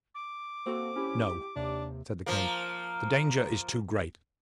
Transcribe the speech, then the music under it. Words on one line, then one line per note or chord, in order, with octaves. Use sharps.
'No,' said the King. 'The danger is too great.
D6
A#3 C4 F#4 A4
C#4 E4 G4
G4
D#2 C3 D4
F3 A#3